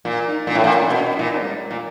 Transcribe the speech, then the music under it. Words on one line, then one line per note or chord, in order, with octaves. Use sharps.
Thank you. You too, take care.
A#2
A#2
A2
A#2
B2
A#2
A#2